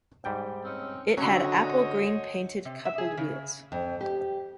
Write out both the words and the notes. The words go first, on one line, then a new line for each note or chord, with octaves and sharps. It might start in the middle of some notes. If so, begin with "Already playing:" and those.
It had apple green painted coupled wheels.
G#2 G3 G5
C4 C#4 D#4
D3 F#3 C#4 F#4 C5 C#5 D#5
C3
E5
G#4
C#3
F2
G4